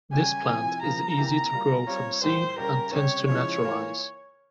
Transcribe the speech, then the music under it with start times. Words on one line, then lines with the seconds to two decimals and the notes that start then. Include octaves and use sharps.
This plant is easy to grow from seed and tends to naturalize.
0.12 C#3 G3 C#4 G4 G#5
0.48 C3 F3 C4 E4
0.83 C#3 F3 A#3 A#5
1.18 C3 E3 A#3 E4 G4
1.53 G3 A#3 F4
1.87 G3 C4 F4 C#5
2.22 A#2 G3 A#3 E4 G4 C5
2.58 C#3 G3 C#4 G4 A#4
2.93 C3 G3 C#4 G4 C#5
3.28 C#3 F3 G#3 E4 C#5
3.63 E3 A#3 F4